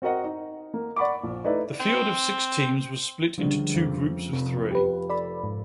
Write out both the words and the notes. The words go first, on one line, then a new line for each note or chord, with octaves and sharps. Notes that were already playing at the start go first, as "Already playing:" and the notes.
The field of six teams was split into two groups of three.
C4 F#4 A#4 D#5 F#5
D#4
A#3
D5 F#5 B5 C#6 D6
A#1
A3 D#4 E4 B4 D5 E5
C4
C#2 D3 F3 G3 D4
F2 A3 D6
F1 C3 B5
G4 B4
A4 D5 B5
G#2